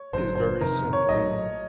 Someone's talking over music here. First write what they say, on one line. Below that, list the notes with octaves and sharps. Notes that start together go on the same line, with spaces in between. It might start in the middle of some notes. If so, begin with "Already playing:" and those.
is very simply,
Already playing: C#5
G1 F2 D3 F#3 C5
C5
B4
F#1 F2 C3 D#3 A#4
C#5
A#1 A2 F#3 A3 D#5